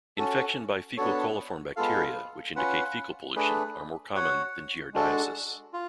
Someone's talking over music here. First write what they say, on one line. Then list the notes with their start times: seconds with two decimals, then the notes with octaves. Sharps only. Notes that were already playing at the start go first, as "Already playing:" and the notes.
Infection by fecal coliform bacteria, which indicate fecal pollution, are more common than giardiasis.
0.17 C#4 F#4 A4
0.97 B3 D4 F#4 A4 C#5
1.76 G#3 B3 F4 A4 F5
2.56 C#4 F4 B4 F#5
3.35 A3 D4 G#4 B4
4.14 F#4 C#5 F#5
4.94 G#3 D4 F#4 A4
5.73 F4